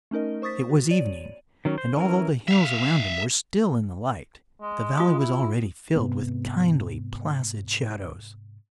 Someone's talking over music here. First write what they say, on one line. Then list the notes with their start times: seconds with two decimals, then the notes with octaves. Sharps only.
It was evening, and although the hills around him were still in the light the valley was already filled with kindly, placid shadows.
0.11 A3 C#4 D#4 A#4 D#5
0.42 C5 C#6 D#6 A6 B6
0.69 F#4
0.91 C#5 D5 D#7
1.65 D#3 F#3 C#4
1.78 C5
1.97 E3 C#4 A#4
2.48 E5 F5
4.60 G#3
4.97 F4 D#6
5.19 E4
5.96 G#2 C3 B3